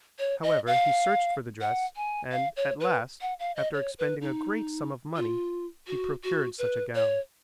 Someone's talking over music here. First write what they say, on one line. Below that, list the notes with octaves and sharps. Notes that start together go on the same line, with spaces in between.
However he searched for the dress and, at last, after expending a great sum of money, he procured such a gown.
C#5
D#5
F5
F#5
G#5
F5
C#5
B4
F#5
F5
D#5
C#5
B4
D#4
F4
F#4
F#4
B4
C#5